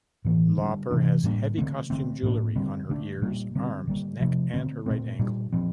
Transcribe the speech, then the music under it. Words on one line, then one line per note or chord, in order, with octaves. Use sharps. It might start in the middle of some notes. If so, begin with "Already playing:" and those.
Lauper has heavy costume jewelry on her ears, arms, neck and her right ankle.
A2 E3 A#3
D3 G3 D4
C3 E3 A3 D4
A2 G3 A#3 D4
D3 A3 C4
D3 A3 C4
A2 G3 A#3 D4
D3 G3 C4
D3 A3 D4
A#2 G3 A#3 D4
D3 G3 C4
D3 G3 A#3
C3 F3 A3 D4
D3 A3 C4
A#2 A3 C4
A#2 G3 D4
A#2 F3 C4